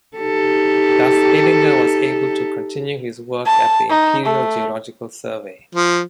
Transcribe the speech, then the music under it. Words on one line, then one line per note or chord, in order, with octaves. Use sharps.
Thus Haidinger was able to continue his work at the Imperial Geological Survey.
D#4 G4 A4
A5
D#4
A3
F3